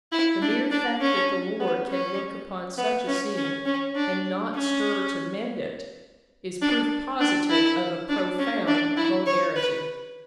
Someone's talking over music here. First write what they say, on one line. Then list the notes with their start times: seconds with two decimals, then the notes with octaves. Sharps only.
The mere fact that the lord can look upon such a scene and not stir to mend it, is proof positive of a profound vulgarity.
0.12 E4
0.42 D4
0.71 D4
1.01 C#4
1.60 B3
1.89 C#4
2.78 B3
3.07 C#4
3.36 C#4
3.66 C#4
3.96 D4
4.55 C#4
6.61 D4
7.20 D4
7.50 E4
8.09 D4
8.39 C#4
8.67 D4
8.97 E4
9.26 C#5
9.56 B4